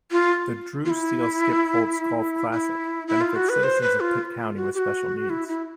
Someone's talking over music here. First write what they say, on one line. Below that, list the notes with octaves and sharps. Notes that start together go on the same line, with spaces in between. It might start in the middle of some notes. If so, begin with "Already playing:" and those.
The "Drew Steele-Skip Holtz Golf Classic" benefits citizens of Pitt County with special needs.
F4
F4
E4
E4
E4
F4
F#4
B4
C5
B4
F4
F4
F#4
G4
F#4
E4
E4